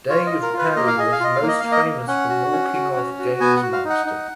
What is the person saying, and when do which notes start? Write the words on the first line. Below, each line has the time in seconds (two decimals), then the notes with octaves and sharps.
Dave Perry was most famous for walking off "Gamesmaster".
0.09 F4 C#5
0.26 D#5
0.32 F4
0.42 A#4
0.54 F4
0.59 B4
0.76 A#3 D#5
0.88 F5
0.98 G#4 D#5
1.12 F5
1.20 F4 D#5
1.35 F5
1.42 A#3
1.48 D#5
1.60 A#3 F5
1.72 D#5
1.85 A#3
2.08 C#4 F#5
2.29 F#4
2.52 C#4
2.74 F#4
2.96 C#4
3.19 F#4
3.40 B3 G#5
3.57 F#5
3.63 F#4
3.73 F5
3.84 D#4
3.90 F#5
4.06 D#4